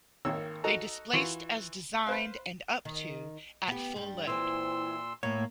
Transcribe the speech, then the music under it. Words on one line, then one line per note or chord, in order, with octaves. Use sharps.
They displaced as designed and up to at full load.
G#1 D#3 A#3 C#5 E6
D#4 F#4 A4 D#5 A#5
E3 F4 F#4 C6 C#6
B4 C5 F5
D#3
B3 G4
G2 G3
A#2 E3 C4 E4 C6 E6
A2 A#3 C#5